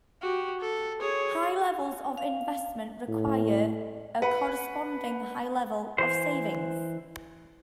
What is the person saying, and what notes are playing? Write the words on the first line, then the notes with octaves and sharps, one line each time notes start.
High levels of investment require a corresponding high level of savings.
F#4 G4
A4
G#4 C#5
F5
A2
B4 F#5
E3 C5 C6